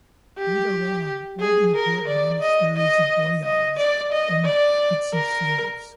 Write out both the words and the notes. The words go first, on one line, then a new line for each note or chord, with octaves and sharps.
Later on, all the important monasteries and "boyars" owned Gipsy slaves.
G4
G#4
A#4
D5
D#5
D#5
D#5
D5
D#5
D5
A#4